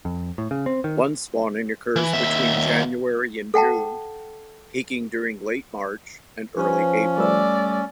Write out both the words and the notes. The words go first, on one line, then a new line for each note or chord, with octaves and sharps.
One Spawning occurs between January and June, peaking during late March and early April.
F2
A2
C#3
C4
D#3
E3
D#2 E5
A4 F#5 G5 A5
F3 C#4 B4 C5 G#5
G3 A3 D5 E6